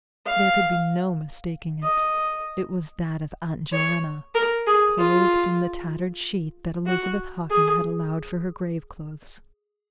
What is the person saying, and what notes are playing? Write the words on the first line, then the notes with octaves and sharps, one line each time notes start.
There could be no mistaking it--it was that of Aunt Joanna, clothed in the tattered sheet that Elizabeth Hockin had allowed for her grave-clothes.
F5
D#5
C#5
A#4
G#4
F4
F#4
G#4